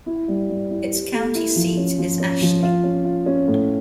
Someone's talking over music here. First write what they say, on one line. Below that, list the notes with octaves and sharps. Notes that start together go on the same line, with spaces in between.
Its county seat is Ashley.
E4
G3
G3
E4
G4
A3
E4
F3
C#4
F3
C#4
F3
F4
C#4
F4
C#4
A2